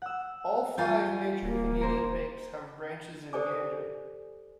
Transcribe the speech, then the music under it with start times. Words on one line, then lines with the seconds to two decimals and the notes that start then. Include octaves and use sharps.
All five major Canadian banks have branches in Gander.
0.02 F#5 E6
0.78 G3 F4 G#5 G6 A6
1.42 D1 A#3
1.81 D#1 A#4 C5
3.33 G4 A4 C5 D5 G#5 D6